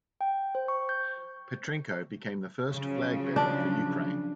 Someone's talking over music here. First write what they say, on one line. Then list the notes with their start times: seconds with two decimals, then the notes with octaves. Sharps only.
Petrenko became the first flagbearer for Ukraine.
0.21 G5
0.55 C5
0.68 C#6
0.89 G6
2.74 C#3 F3 F#3
3.36 D4